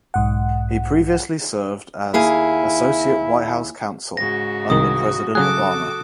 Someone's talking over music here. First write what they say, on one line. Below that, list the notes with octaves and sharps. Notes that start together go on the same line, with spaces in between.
He previously served as Associate White House Counsel under President Obama.
B1 G#2 F#5
D#2 E4 G#4 F5
G#2 C#3 F#4 A#6
C2 D#3 D#6
C#3 F#3 F#4 G#4 A4 D6 D#6 F#6